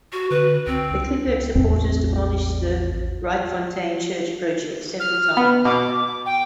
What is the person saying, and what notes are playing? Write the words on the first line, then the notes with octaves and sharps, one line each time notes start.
The Klipkerk supporters demolished the Rietfontein Church project several times.
F#4
D3 B4
C#2 C4
C#2
A1 E2 C4
F6
B3
B2 D6
G5